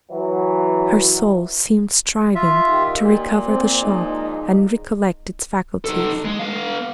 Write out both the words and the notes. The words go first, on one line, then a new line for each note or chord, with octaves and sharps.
Her soul seemed striving to recover the shock, and recollect its faculties.
E3 F#3
F4 E5
D#3 D#4 G4
A#2
C4
F3 G#3 D#4
D#4 A4
G#3
B3 F5